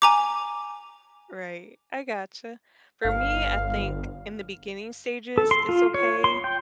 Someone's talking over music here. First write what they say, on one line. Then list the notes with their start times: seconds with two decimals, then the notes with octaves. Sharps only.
Right, I gotcha. For me, I think in the beginning stages, it's okay
0.02 G#5 A#5 D6
3.05 G1 F5
5.38 A4
5.51 C6
5.69 F4
5.94 C#5
6.24 C6
6.44 G5